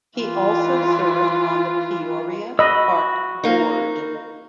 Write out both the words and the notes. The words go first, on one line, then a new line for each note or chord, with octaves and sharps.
He also served on the Peoria Park Board.
E3 F4
F#4 D#5 B5 E6
A#3 D#4